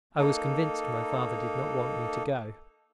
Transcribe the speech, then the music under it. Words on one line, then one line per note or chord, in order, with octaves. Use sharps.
I was convinced my father did not want me to go.
A#3 D#4 A4